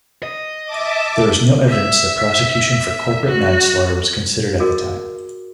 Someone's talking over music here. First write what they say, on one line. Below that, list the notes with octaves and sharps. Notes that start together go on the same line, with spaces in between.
There is no evidence that prosecution for corporate manslaughter was considered at the time.
D#5
E5 A5 D6
E5
F#4
F#4 G#4 A#4 D#5